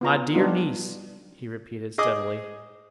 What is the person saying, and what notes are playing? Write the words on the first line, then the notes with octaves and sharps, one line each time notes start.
My dear niece,' he repeated steadily.
B3 F4 A#5
G3 B3 D4 D#4 F4
G#4 D#5 D6 D#6